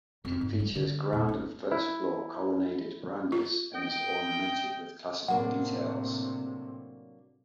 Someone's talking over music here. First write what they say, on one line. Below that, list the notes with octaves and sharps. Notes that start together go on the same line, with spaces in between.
It features ground and first floor colonnaded verandahs and is ornamented with Classical details.
F2
G#2
G3
D3
E2 A#2
A3
E4
F4
D#5 G5
A2 C3 F#3 A#3 D4 F#5